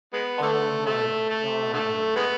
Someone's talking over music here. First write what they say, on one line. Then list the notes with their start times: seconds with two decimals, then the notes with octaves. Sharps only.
Oh my god!
0.13 G#3 B3
0.42 D3 A3
0.86 A3
1.29 A3
1.73 D3 A3
2.16 G#3 B3